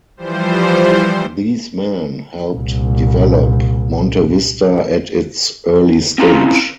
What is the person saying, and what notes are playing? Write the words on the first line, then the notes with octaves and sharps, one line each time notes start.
These men helped develop Montevista at its early stage.
E3 F3 G3 C5
C2 A#2
C4 C#4 E4 F4 F#5 A#5